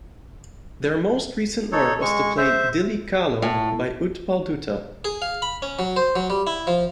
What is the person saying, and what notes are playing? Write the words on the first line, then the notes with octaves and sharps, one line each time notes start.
Their most recent work was the play "Dilli Chalo" by Utpal Dutta.
D#4 A4 C#5
G#3 C#6
C5 E5
A2
G#4
F5
B5
C#4
F#3
C5
F#3
G3
E4
F3